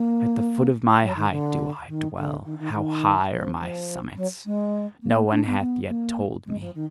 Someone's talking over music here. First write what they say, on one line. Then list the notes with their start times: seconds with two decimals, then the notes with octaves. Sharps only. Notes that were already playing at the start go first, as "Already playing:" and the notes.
At the foot of my height do I dwell: how high are my summits, no one hath yet told me.
Already playing: A#3
1.02 F#3
1.16 D#3
1.30 D3
1.87 D#3
2.16 D3
2.45 D#3
2.59 D#3
2.73 D#3
3.31 F3
3.59 F3
4.16 F#3
4.45 G#3
5.03 A#3
5.31 D4
5.46 B3
5.60 B3
5.89 A#3
6.46 G#3
6.60 F3
6.75 D#3